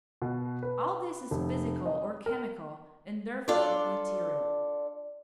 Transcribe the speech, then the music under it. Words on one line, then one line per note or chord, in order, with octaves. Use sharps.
All this is physical or chemical, and therefore material.
B2
B4
F1
D#5
A#4
D4 F4 A4 D5